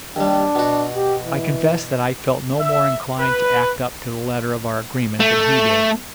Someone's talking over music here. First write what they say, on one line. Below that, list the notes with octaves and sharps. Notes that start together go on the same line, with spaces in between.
I confess that I felt no more inclined to act up to the letter of our agreement than he did.
D#2 G3 D4
B2 F#4
G4
E3
E5
B4
A3